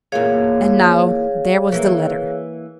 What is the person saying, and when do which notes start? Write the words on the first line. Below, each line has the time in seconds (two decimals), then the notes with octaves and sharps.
And now--there was the letter!
0.12 E2 A#2 A#3 G#4 C#5 F5
1.72 E3 A#3